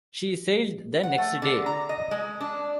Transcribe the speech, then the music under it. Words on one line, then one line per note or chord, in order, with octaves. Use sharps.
She sailed the next day.
F#5
A3
D3
A#5
D#5
G#3
D4